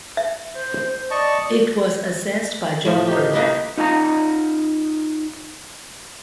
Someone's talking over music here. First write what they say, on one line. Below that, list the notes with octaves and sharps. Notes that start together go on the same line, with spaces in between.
It was assessed by John Burnet.
E5
C5
D5 D#5 A5 C#6
A2 F3 A3
D#4 G4
A#3 D#4 A#4 B4
D#4 F4 D#5 G5 A#5